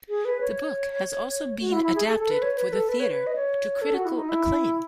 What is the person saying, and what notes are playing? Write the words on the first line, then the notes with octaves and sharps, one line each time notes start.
The book has also been adapted for the theatre, to critical acclaim.
G#4
B4
C#5
F#4
E4
E4
G#4
A4
A4
B4
C#5
B4
A4
B4
C#5
B4
D#5
C#5
A4
F#4
E4
D#4
E4